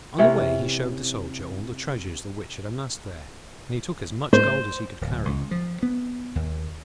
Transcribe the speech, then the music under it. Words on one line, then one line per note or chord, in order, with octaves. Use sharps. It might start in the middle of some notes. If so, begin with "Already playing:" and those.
On the way he showed the Soldier all the treasures the Witch had amassed there, and he took as much gold as he could carry.
C3 E3 C#4
C5
D1
C#2
F3
B3
D#2